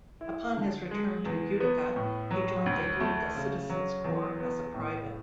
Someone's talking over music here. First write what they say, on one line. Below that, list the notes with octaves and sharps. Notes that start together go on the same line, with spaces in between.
Upon his return to Utica, he joined the Utica Citizen's Corps as a private.
E4
D3
G#3
E2
B3
A2
F#3
D2
A3
C#3
F#3
E2
B3
A2